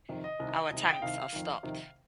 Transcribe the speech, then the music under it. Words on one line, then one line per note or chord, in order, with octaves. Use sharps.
Our tanks are stopped.
F2 C3 D#3
D#5
C2 C3 D#3
C2 C3 D#3
G5
C2 C3 D#3 F5
F2 D#3
F2 C3 D#3